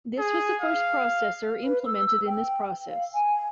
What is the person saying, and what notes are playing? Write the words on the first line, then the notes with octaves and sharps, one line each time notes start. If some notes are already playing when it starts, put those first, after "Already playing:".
This was the first processor implemented in this process.
G#4
F5
B4
E6
G5
F5
G#5